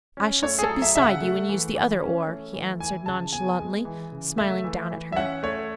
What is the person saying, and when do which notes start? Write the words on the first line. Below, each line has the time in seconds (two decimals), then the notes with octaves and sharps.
"I shall sit beside you and use the other oar," he answered nonchalantly, smiling down at her.
0.17 C#4
0.43 A3 C#5
0.59 G#4
0.63 A4
0.69 F#3
0.82 E5
0.96 C#3 E5
1.02 F#5
1.22 A3
1.49 E3
1.75 E3
2.02 C#4
2.28 A3
2.53 E3
2.80 E3 G#5
3.06 C#3 A5
3.32 B3 G#5
3.59 G#3
3.85 E3
4.12 C#3
4.37 A3 E5
4.64 E3
4.90 E3
5.12 E5
5.16 C#4 F#5
5.43 A3 C#5